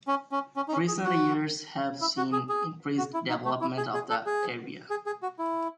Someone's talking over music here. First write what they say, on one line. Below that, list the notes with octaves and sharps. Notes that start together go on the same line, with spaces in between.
Recent years have seen increased development of the area.
C#4
C#4
C#4
D#4
C#4
G#4
F#4
E4
F#4
G#4
G#4
F#4
E4
D#4
A3
E4
G#4
G#4
A4
G#4
G#4
G#4
F#4
E4